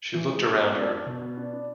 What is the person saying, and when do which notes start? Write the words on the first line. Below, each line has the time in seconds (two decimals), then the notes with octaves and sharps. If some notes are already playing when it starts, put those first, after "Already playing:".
She looked around her.
0.14 E3
0.30 G#3
0.45 G#3
0.60 B3
0.76 D4
0.91 D4
1.06 B2
1.21 B3
1.37 D4
1.53 D4